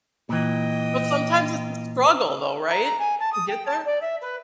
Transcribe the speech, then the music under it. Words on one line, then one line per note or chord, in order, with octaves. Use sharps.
But sometimes it's a struggle, though, right, to get there?
A#2 E3 D#5 G5
A#5
A#5
G#5
A5
D#6
G5
A5
D5
E5
B4